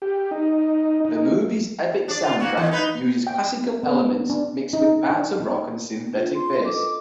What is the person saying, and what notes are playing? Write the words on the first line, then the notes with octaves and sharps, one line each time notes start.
The movie's epic soundtrack uses classical elements mixed with parts of rock and synthetic bass.
G4
D#4
D#4
D4 D5
F4
A#3 F#4
E3
D#4 B4
G5
B3
D4
D#4
D4
D4 F4
C6
A4 D#5 D6